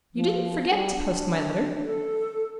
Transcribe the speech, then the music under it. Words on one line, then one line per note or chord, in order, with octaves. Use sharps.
"You didn't forget to post my letter?"
F3
G3
D4
A4